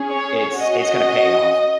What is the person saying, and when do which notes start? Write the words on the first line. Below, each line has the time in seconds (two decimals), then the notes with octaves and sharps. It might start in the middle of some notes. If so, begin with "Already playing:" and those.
it's it's gonna pay off.
Already playing: C#4 G#4
0.11 C#5
0.58 C#4 F#4 D#5